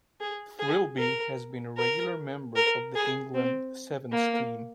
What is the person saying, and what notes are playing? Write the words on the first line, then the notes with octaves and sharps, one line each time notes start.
Thirlby has been a regular member of the England Sevens team.
G#4
G#4
A#4
A#4
A#4
G#4
C4
A#3